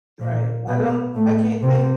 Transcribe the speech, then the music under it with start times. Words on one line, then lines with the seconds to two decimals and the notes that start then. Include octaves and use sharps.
Right, I don't I can't think
0.20 A#2 A#3
0.67 B2 B3
1.15 A2 A3
1.62 C3 C4